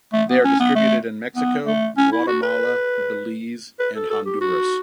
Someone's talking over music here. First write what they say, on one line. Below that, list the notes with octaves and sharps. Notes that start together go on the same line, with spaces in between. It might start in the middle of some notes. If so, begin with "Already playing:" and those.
They are distributed in Mexico, Guatemala, Belize, and Honduras.
A3
B3
C#4
B3
A3
B3
A3
C#4
E4
F#4
B4
B4
A4
A4
G4
F#4